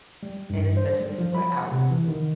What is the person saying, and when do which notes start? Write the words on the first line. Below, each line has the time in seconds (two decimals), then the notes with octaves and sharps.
And especially if we're out
0.23 G3
0.50 G2
0.77 C5
1.00 G3
1.18 F3
1.35 B5
1.57 F#5
1.72 C3
1.91 E3
2.08 D#3